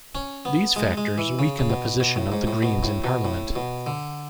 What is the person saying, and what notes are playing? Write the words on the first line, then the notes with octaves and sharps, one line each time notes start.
These factors weakened the position of the Greens in Parliament.
C#4
B3
G#3
G#3
E3
C#3
C#3
B2
B2
A2
G#2
A2
B2
A2
B2
A2
B2
D3